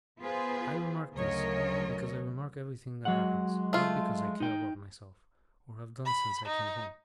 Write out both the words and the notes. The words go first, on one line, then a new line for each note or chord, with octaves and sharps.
I remark this, because I remark everything that happens, not because I care about myself, or have done since I came home.
B3 F4 G#4 B4 C5
D2 C#3 F#3 A#4 C#5 D#5
F#3 G#3 F#5
A3 F4
D#4 G5
B5
D#4